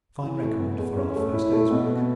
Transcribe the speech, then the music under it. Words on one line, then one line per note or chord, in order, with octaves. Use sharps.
A fine record for our first day's work.
E3
A3
B3
E2
C#4
A3
E4
A3
B2
B3